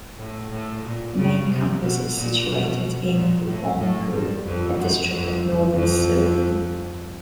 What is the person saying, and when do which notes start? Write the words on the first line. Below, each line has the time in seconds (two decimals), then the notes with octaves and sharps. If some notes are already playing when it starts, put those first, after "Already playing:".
The main campus is situated in Dobong-gu, a district of northern Seoul.
0.18 A2
0.50 A2
0.83 A#2
1.16 C#3
1.48 C3
1.81 B2
2.15 A#2
2.48 B2
3.12 A#2
3.45 A2
3.78 A2
4.11 G2
4.44 F2
4.76 F#2
5.08 F2
5.75 F2